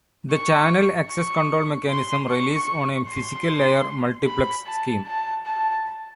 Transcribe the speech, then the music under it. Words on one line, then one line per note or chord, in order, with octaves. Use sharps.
The channel access control mechanism relies on a physical layer multiplex scheme.
C#6
C#6
C6
C#6
C6
B5
A5
A5
A5